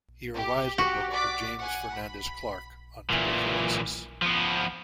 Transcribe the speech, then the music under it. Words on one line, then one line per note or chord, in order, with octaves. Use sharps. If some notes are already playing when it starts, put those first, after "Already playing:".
He revised a book of James Fernandez Clarke on tuberculosis.
G4
F#4
D5 D6 B6
F#5 G#5
B5
A#2 E3
F3 B3